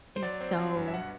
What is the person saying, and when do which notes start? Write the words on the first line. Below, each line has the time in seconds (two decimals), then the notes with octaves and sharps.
is so
0.16 C5
0.22 F#3 D5
0.40 C4
0.58 F#3
0.76 G2
0.88 E5
0.93 B2 F#5